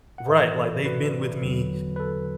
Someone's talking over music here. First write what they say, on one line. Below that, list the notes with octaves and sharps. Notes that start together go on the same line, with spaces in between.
Right, like they've been with me
F#5
A2 E3 B4 E5
A4 D5
F#4 B4
E2 D3 F#3
B4
A4